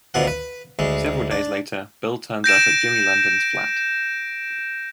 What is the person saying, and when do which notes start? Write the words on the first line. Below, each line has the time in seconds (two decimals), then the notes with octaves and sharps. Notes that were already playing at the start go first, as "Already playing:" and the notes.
Several days later, Bill turns up at Jimmy's London flat.
0.14 D2 B2 F3 F#5
0.27 B4
0.79 D2 G#3
1.31 D4
2.44 G6 A#6 D7 E7